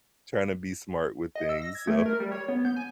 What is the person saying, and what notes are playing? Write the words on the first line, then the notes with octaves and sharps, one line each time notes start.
tryna be smart with things. So
D#5
E6
A#6
G#6
A3
A#4
G3
C#5
B3
G6
G#5